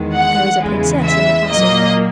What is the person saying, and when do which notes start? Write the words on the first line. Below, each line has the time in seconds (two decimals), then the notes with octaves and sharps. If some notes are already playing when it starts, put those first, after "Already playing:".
'There is a princess in the castle.
Already playing: E2 D#3 G#3
0.14 F#5
0.59 E2 C#3 E3 G#3
1.04 E5
1.49 A#2 F#3 A#3 D#5